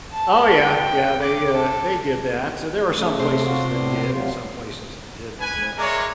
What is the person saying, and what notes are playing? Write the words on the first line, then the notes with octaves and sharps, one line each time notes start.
Oh, yeah, yeah, they, uh, they did that, there were some places that did, and some places that didn't. Uh,
A5
G5
D6
A4
C#3 A3
C3 C5
F4 F#4
A2 B3 D4
C3 F#3 F4
B4 G#5
G#3 A#4 C#5 D5 E5